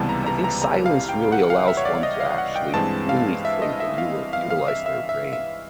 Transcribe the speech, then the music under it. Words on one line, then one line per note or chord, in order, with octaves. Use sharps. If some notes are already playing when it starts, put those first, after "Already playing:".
I think silence really allows one to actually fully think and u u utilize their brain.
Already playing: C#2 C3 E3 G3 B3 A5
A#5
A#5
A#5
A#5
F5
G5
F#5
F5
E5
C#5
D5
D#5
F5
F#5
G5
G2 E3 G#3 C4 A5
F5
E5
D#5
E5
F5
F5
F5
E5
E5
E5
E5